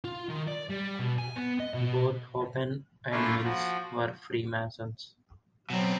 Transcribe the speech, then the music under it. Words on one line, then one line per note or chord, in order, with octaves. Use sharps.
Both Hoban and Mills were Freemasons.
F4
D#3
D5
G3
B2
G#5
B3
D#5
B2
A3 A#3 C#4 D4 E4 F4
F3 F#4
B2 F#3 C4